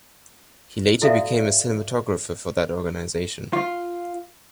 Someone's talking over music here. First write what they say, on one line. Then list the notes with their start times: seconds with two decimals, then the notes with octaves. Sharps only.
He later became a cinematographer for that organization.
1.02 E4 F#4 A4 D5 E5 F5
3.53 F4